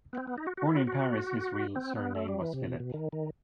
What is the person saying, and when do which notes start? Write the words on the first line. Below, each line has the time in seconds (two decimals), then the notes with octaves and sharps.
Born in Paris, his real surname was Philippe.
0.13 B3
0.17 C4
0.27 B3
0.38 D#4
0.47 F#4
0.57 F#4
0.67 E4
0.77 F#4
0.87 F#4
1.76 C4
1.95 B3
2.15 A3
2.28 G3
2.41 E3
2.54 C3
2.67 B2
2.80 B2
2.94 D#3
3.13 D#3